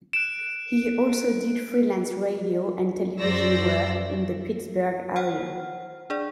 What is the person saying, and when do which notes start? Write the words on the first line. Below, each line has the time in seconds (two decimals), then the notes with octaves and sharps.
He also did freelance radio and television work in the Pittsburgh area.
0.13 F#6 D7 E7
3.18 F#2 F#3 C5 D5 E6 A#6
5.16 C5 F#5 G5 F6
6.10 D4 G#4 D5